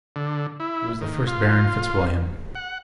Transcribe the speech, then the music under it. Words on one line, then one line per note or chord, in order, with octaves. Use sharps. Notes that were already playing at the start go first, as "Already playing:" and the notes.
He was the first Baron FitzWilliam.
D3
E4
D#3
F4
F#5